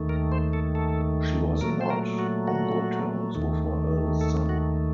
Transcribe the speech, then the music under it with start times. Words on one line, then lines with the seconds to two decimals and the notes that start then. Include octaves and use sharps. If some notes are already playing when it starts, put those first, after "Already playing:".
She was not on good terms with her eldest son.
Already playing: D#2 D#3 A3
0.09 A#4
0.32 C5
0.53 A4
0.75 A4
1.61 A#2 F#3 A3 A#4
1.81 C5
1.90 A#4
2.19 F#4
2.48 F#4
3.35 D#2 D#3 A3
4.21 A4
4.49 F#4